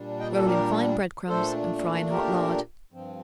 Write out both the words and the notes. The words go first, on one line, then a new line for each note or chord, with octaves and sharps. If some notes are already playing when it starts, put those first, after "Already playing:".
Roll in fine bread-crumbs and fry in hot lard.
Already playing: A#2 G3 D4
D#5 G5
A4
G4 A#4
A#2 A3 D4 A4 C5
G4 A#4
G2 F3 C4